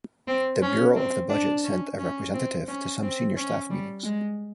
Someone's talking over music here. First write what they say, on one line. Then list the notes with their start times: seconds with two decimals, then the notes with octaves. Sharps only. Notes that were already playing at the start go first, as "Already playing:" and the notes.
The Bureau of the Budget sent a representative to some Senior Staff meetings.
0.28 C4
0.62 C#4
0.96 C4
1.30 D4
1.64 C#4
1.99 C#4
2.34 C4
2.68 C#4
3.03 C4
3.37 C#4
3.70 G3
4.05 G#3